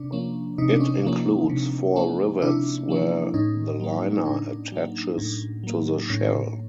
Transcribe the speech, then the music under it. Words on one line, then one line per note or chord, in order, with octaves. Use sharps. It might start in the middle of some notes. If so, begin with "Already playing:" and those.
It includes four rivets where the liner attaches to the shell.
Already playing: C3 D4
F3 A#3 C#4
C3 D#4
D4
C#4 D#4
F3 A#3 C#4
C3
F3 A#3 C#4
C3 D4 E4
F3 A#3 C#4
A2 C#4 D#4
F#3 A#3
A2 D4
F#3 A#3
A2
F#3 A#3
A2 C#4